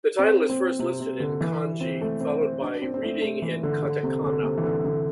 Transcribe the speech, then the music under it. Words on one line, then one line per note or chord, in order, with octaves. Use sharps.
The title is first listed in kanji, followed by reading in katakana.
C4
C4
C3
C3
D3
E3
C4
A3
C4
C4
D4
C4
C4
A3
A3
E3
D3
D3
C3
D3
C3
E3
D3
D3